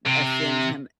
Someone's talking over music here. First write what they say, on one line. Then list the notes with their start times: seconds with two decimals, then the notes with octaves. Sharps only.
offend him,
0.06 C3